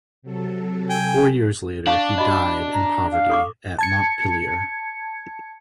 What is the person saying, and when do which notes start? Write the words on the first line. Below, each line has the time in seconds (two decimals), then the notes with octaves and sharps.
Four years later he died in poverty at Montpellier.
0.22 C3 F#3 A4
0.90 G5 G#5
1.87 D4 F5 A5 C#6
2.18 F#4 D#5 B5
2.73 A#5
3.12 F5
3.30 A4 C#6 D6
3.79 A5 G#6 C#7